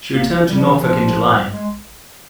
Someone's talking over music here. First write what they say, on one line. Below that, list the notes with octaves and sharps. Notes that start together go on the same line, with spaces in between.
She returned to Norfolk in July.
A#3
G3
F3
D#3
F3
G#3